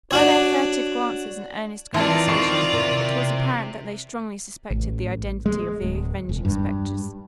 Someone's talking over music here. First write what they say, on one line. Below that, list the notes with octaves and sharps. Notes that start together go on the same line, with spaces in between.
By their furtive glances and earnest conversation it was apparent that they strongly suspected the identity of the avenging specters.
D4 F#4 C#5
E3 C4 D#4 F4 A#4 D5 A5 C6
D#3 C#6 C7 E7
C3 A#4
A1
G#3
D1
E1
G2